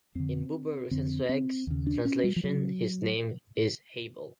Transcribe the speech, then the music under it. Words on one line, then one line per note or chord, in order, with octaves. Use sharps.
In Buber Rosenzweig’s translation his name is “Habel”.
F2 D3 C4
F2 D3 C4
C4
D#2 C#3
D4
C#4
G3
F3
C#3 F#3